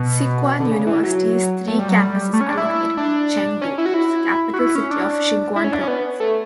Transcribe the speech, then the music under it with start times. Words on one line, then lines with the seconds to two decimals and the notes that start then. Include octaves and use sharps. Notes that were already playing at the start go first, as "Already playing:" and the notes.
Sichuan University's three campuses are located in Chengdu, the capital city of Sichuan Province.
Already playing: B2
0.60 D3
0.72 C#3
0.87 E3
1.03 F#3
1.68 A3
1.79 G3
1.89 F#3
1.99 G3
2.33 A3
2.41 C#4
2.49 D4
2.58 E4
2.97 D4
3.61 C#4
3.78 E4
3.86 F#4
3.94 E4
4.54 F#4
4.59 E4
4.75 C#4
4.91 D4
5.56 E4
5.64 C#4
5.72 D4
5.81 C#4
5.88 B3
6.20 A3